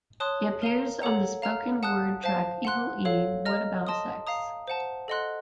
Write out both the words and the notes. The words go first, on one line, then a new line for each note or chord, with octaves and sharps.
He appears on the spoken word track Evil E-What About Sex?
C#5 A5 C6 D#6 F#6
A#4 F5 A#5
A4 C#5 F#5 A#5
F5 A#5 F6
F#5 A5 D#6 F#6
C5 F5 A5
F#5 C6 F#6
A4 C#5 F5
D#5 A#5 F6
D#5 A5 C6 D#6
F5 A#5 D#6
C5 F#5 A5
A4 D#5 F#5 C6 F#6